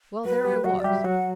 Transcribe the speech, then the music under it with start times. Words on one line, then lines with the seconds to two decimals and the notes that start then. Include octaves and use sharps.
Well, there I was.
0.25 F#3 F#4 B4
0.45 G3 G4
0.64 F#3 F#4 F#5
0.80 D5
0.84 G3 G4 E5
1.04 F#3 F#4 F#5